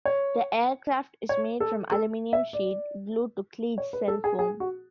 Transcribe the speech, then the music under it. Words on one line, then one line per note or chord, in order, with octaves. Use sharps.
The aircraft is made from aluminum sheet glued to Klegecell foam.
C#5
C#5
A4
A4
E5
D5
C#5
B4
A4
G#4
G#4
F#4